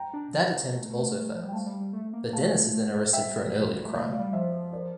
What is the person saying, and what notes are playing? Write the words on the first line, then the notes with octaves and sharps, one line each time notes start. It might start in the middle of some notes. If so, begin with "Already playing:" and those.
That attempt also fails, but Dennis is then arrested for an earlier crime.
Already playing: G5 A#5
D4
F3
E3
A3
F3
G3
G5
A3 F5 A5
G3
G3
A3
A#3
A3 F5 A5
E5 G5
E3
F3
G3
A3
A#3 D5 F5
A3
D5 F5
G3
F3 C5 E5
A#4 D5